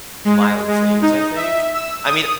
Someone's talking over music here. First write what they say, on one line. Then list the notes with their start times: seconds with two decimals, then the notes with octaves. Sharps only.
mild things, I think. I mean,
0.25 G#3
0.68 G#3
1.02 D#4
1.36 E5
1.74 E6
2.05 D#6